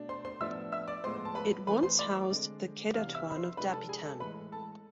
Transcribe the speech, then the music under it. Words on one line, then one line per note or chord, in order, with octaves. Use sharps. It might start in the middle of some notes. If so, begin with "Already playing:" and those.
It once housed the Kedatuan of Dapitan.
Already playing: B2 A3 D4
C5 C6
C5 C6
A2 F3 B3 D4 E5 E6
E5 E6
D5 D6
A2 F3 G#3 B3 C5 C6
A5
B4 B5
E3 A3 C4 B4 B5
C5 C6
D5 D6
D3 G#3 C4
C3 E3 B3 D4 F5 F6
E5 E6
B5
C5 C6
C3 F3 G#3 D4 B4 B5
A4 A5
G#4 G#5
A4 A5
A2 E3 G#3 B4 B5
A4 A5